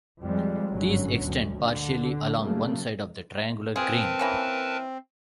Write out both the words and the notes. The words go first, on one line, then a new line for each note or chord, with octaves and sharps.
These extend partially along one side of the triangular Green.
F2 G3 G#3
G1 G#2 D3 F#3 C#4
D2
D3
C#3 F#3 A3 A#3
C4 F4 G#4 A#4 B4 A5
E3 A#3 C#4